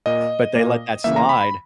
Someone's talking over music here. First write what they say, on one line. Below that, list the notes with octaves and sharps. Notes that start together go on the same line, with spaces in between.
But they let that slide
A#2 A#3 D#5
A#2 A#3
C#3 E3 A#3 E5
A#5
B5
B5